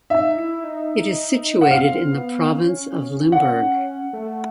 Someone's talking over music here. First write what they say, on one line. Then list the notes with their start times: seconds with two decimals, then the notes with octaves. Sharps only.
It is situated in the province of Limburg.
0.10 D#4 E5
0.37 E4
0.64 D#4
1.61 F#5
1.71 C4 F5
2.11 B3
2.52 C#4
3.32 F#5
4.13 A3